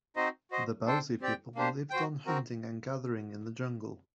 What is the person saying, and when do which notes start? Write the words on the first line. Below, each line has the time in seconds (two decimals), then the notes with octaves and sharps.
The Bauzi people lived on hunting and gathering in the jungle.
0.16 C4 D#4 F#4 C5 D#5
0.51 F#4 C5 D#5
0.86 D4 A4 C5 G5
1.21 C4 G4 D5 G5
1.56 A#3 D4 G4 C5
1.90 F#4 C5 G5
2.26 C4 F#4 A#4